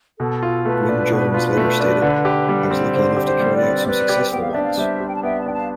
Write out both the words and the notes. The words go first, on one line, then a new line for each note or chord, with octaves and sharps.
Gwynne Jones later stated, I was lucky enough to carry out some successful ones.
B2 A4
F4
A3 B4
D4
B2
F4
A3
D4
D3
G4
G3
C4
D3 C5
G4
C5
G3
B4 D5
C4
G3 B4 D5
G4
B3 G5
F5
D4 E5
D5 F5
G3 C5 E5
G4
G5
A5
B3 E5 G5
A5
D4 G5
F5 A5